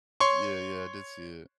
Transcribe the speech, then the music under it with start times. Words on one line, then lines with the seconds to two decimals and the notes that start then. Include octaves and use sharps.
Yeah, yeah, I did see it.
0.20 C#5 C6 C#6